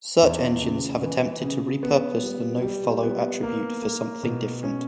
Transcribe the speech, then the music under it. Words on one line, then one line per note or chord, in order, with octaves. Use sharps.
Search engines have attempted to repurpose the nofollow attribute for something different.
E2
C#3
E3
C#3
B3
G3
G3
B3
A#3
A#3
B2
C#4